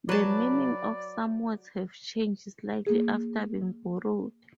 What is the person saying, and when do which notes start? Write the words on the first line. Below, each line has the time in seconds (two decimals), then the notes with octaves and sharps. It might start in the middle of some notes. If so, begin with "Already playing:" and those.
The meaning of some words have changed slightly after being borrowed.
0.09 F#3 B4 D5 A5
2.87 A#3 G#4